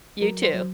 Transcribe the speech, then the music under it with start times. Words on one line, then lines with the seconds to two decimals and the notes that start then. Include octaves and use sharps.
You too.
0.22 F#3 A#4
0.43 C5
0.54 F#3